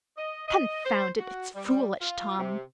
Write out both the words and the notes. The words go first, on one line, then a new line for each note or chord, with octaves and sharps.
"Confound it, it's foolish, Tom."
D#5
D#5
C5
F#4
G3
F4
C3